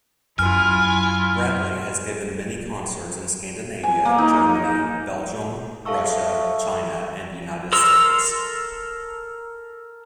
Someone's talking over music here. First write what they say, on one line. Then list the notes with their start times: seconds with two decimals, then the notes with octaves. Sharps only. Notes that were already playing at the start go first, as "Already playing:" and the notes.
Bratlie has given many concerts in Scandinavia, Germany, Belgium, Russia, China and United States.
0.39 F#2 E4 F4 G#5 F6
3.84 G#5
4.05 A#3
4.18 D#4
5.85 A4 E5 F5 A5 C#6 E6
7.73 A4 A#4 C6 E6